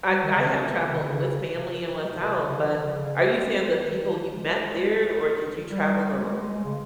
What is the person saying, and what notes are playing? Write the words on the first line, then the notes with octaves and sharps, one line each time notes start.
I I have traveled with family and without, but are you saying the people you met there or did you travel alo
G3
D#3
C#3
C3
C3
C3
D#3
D#3
C#3
C3
C#3
D#3
F3
C#3
C#3
G#3
G#3
G#3
F3
D#3
F3
G#3
G3
G#3
G#3
G#3
G#3
C#3